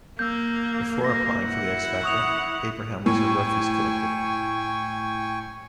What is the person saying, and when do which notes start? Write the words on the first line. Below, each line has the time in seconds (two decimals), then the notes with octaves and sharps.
Before applying for "The X Factor", Abraham was a refuse collector.
0.19 A#3 E6 G6
1.04 A#3 A#6
1.44 E4 F#5
2.03 C#6 D#6 F7
3.06 A2 G5 G#5 C#6